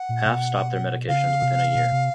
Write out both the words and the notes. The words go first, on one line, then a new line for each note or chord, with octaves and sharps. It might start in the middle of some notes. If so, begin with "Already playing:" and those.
Half stop their medications within a year.
Already playing: F#5
A#2
B2
C#3 F5
C3
B2
C3